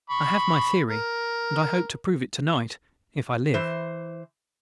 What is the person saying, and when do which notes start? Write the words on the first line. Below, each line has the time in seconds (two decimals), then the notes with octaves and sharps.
I have my theory and I hope to prove it to-night, if I live.
0.10 B5 C#6
0.90 A#4
3.54 E3 C5